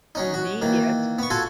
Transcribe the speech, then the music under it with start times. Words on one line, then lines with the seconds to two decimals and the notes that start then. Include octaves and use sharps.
need it
0.15 F#3 C#4 D#4
0.34 F#4
0.61 D#3 E3 A#3
1.19 B3 C#6
1.30 F4 F#4 A4 G#5 C6